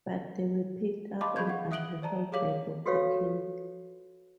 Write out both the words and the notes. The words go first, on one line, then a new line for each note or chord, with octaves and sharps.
But they were picked up and amplified by Doctor King.
D#5 F5 A5 B5 C6 D6
G#4 B5 C#6 G6 G#6
F5 F#5
E5 D#6 F#6 D7 F#7 G7
C5 D5 A5 A#5
G4 G#4 C#5 F5 D6 F#7
F#4 G4 A4 B4 C#5 F5